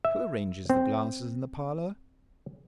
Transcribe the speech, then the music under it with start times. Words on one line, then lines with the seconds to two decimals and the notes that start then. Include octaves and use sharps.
Who arranges the glasses in the parlor?
0.05 E5
0.70 C4